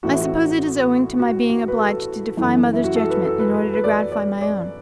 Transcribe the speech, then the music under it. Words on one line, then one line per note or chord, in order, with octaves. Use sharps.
I suppose it is owing to my being obliged to defy mother's judgment in order to gratify my own.
A1 A2 A3 F#4
E4
F#4
F#4
F#4
B4
A4
F#2 E3 A3
E4
F#4
A4
B4
A4
B4
B4
B4
D5
D5
D5